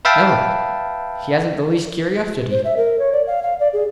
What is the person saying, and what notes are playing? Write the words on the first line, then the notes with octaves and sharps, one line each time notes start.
"Never; he hasn't the least curiosity."
B4 E5 F5 G5 A5
C5
E5
A#4
C#5
D5
F5
F5
D5
G#4